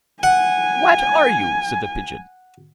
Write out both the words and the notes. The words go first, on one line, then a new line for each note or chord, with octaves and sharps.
WHAT are you?' said the Pigeon.
F#5 G#5